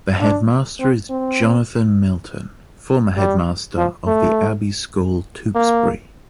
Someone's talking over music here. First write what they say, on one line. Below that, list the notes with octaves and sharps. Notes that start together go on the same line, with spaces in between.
The headmaster is Jonathan Milton, former headmaster of The Abbey School, Tewkesbury.
D4
C4
C4
G3
F3
A3
A#3